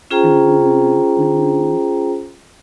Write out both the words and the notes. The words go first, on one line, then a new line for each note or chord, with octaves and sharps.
Mhm, mhm.
C#4 F4 G#4 C5 G5 A#5